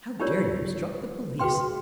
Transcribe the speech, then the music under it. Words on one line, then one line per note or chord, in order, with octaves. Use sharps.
How dare you obstruct the Police?
D#4 F4 G4 A#4 C#5 D5
F#4 G#4 B4 G5 C6